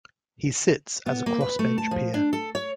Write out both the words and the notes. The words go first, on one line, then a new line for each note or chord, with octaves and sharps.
He sits as a crossbench peer.
B3
A#3
B4
A3
A5
F3
D4
A4
C#5